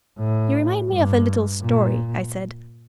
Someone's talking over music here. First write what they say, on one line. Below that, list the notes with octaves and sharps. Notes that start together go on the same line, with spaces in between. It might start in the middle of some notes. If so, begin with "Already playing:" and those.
"You remind me of a little story," I said.
A2
G2
A#2